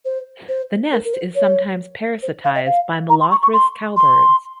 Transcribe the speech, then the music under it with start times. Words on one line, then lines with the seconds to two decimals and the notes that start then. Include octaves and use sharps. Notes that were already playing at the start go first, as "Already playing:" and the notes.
The nest is sometimes parasitised by "Molothrus" cowbirds.
0.05 C5
0.48 C5
0.92 A#4
1.04 A#4
1.14 C5
1.35 C#5
2.22 C5
2.44 F5
2.55 D#5
2.66 F5
3.09 A#5
3.20 C6
3.31 C#6
3.42 C#6
3.53 C6
3.96 C6